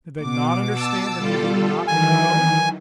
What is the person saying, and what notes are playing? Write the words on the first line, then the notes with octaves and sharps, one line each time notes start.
Did they not understand that he did not know?
B2 D6
A5 E6
G3 F4 A4
D#3 E3 F#3 G#5